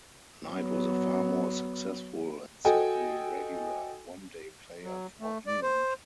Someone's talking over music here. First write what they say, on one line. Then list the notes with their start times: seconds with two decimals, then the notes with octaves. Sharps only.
Knight was a far more successful, and certainly regular, one-day player for England.
0.48 F#3 B3
2.65 F#4 A4 D#5 G5 G#5
4.82 F#3
5.20 A3
5.47 D5
5.62 C5